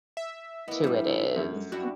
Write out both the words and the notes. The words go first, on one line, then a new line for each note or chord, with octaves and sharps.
to it is
E5
A#3 B3 E4 D#5
G2 F3 G3
F#2 A4
G3 D4 E4 F#4